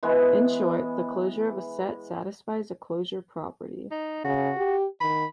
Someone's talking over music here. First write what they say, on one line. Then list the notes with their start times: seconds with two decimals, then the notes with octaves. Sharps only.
In short, the closure of a set satisfies a closure property.
0.03 E3 G#3 B3
3.91 D#4
4.25 C#3 F#4
4.57 G4
5.01 D#3 B5